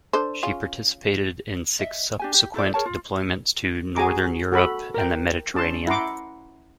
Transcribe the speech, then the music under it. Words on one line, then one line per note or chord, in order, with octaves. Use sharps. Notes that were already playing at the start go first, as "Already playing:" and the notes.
She participated in six subsequent deployments to Northern Europe and the Mediterranean.
D4 A4 C5
C#3 C#4 F4
D#5 E5
D4 G4 G#5
G4
E4 A4 C5 D5
G#4 A#4 C#5 A5
F4
F#4 G#4 G#5 A#5 D6
F#4 A4 B5
A#4 G5
C#4 A5 C6
E4 F#5 A#5 C6 D6